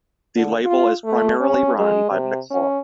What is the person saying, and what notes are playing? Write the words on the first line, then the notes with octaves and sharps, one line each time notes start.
The label is primarily run by McClard.
D3
F4
A3
C#4
G#3
C3
C#4